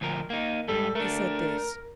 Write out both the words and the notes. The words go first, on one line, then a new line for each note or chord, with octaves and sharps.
He said this.
D2 F3 A#4
A#3 D#4
G#2 G3 A4
A3 D4 A#4